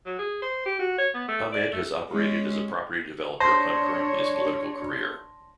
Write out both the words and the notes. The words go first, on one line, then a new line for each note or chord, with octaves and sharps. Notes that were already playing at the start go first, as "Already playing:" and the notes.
Ahmed has operated as a property developer concurrent with his political career.
F#3
G#4
C5
G4
F#4
C#5
B3
A3
D5
A3
G#3 C#4
D4 C5 C#5 A5 C6 A#6